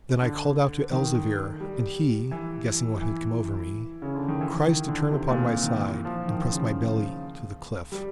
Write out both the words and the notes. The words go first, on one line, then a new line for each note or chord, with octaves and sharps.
Then I called out to Elzevir, and he, guessing what had come over me, cries to turn upon my side, and press my belly to the cliff.
D3
D#3
G3
E3
E3
C#3
D3
D#3
E3
D#3
D3
C3
A#2
D#3
E3
F3
D#3
C#3
G3